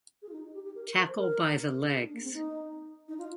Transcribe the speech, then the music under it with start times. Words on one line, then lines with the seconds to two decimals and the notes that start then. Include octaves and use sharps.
Tackle by the legs.
0.22 G#4
0.29 F4
0.33 D#4
0.54 G4
0.65 G4
0.75 A#4
0.86 A#4
0.97 A#4
1.07 C5
1.17 A#4
1.81 G#4
1.92 G#4
2.02 D4
2.13 A#3
2.23 C4
2.34 D#4
3.08 D#4
3.18 F4